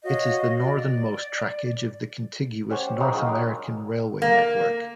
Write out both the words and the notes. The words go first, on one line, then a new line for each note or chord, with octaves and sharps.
It is the northernmost trackage of the contiguous North American railway network.
F#4 C#5 D#5 F5
D5
C#4 G4 C5 F#5
C#3 C4 D#4 G4 F#5 A#5
D#3 F#3 G#3 D4 F4
A#4
A#3